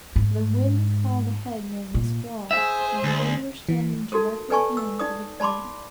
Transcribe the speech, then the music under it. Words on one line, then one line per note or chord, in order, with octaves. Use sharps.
The wind had hauled ahead during the squall, and we were standing directly in for the point.
G#2
A#2
G#4 C5 E5
D2
E3
D#4 F#4 A4 A#4
A4 B4 D5 G#5 A5 C#6
E6
D#4 D5 D#6
D5 A5 B5 C6 D6